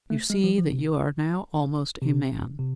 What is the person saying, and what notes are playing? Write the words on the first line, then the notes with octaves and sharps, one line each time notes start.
You see that you are now almost a man.
A3
G#3
F3
F3
C3
C3
C3